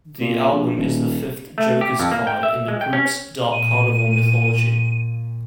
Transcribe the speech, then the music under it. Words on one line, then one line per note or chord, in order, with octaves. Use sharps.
The album is the fifth Joker's Card in the group's Dark Carnival mythology.
A#2
A#1
D#1
A3
G4
F2
A#3
G5
E5
G#3
G5
C#4
A#2 D#7